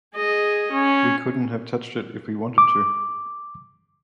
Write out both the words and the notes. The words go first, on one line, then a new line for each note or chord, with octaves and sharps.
We couldn't have touched it if we wanted to.
G#4 D#5
C#4
D6